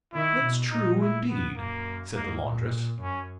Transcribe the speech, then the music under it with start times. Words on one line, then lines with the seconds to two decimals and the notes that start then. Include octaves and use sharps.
"That's true, indeed!" said the laundress.
0.13 D#3 E4
0.42 B2
0.71 A#2 D#4
1.00 E4
1.29 B3
1.57 F#2 A#3
2.15 G#2 A#3
2.44 A#2
3.00 F#2 C#4